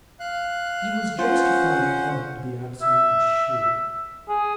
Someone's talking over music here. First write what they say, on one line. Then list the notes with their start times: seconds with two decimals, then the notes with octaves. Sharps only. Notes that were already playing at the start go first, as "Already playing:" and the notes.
He was justified in wanting to be absolutely sure.
0.20 F5 F#6
1.19 C#4 F4 C5 F#5
2.82 E5
4.28 G#4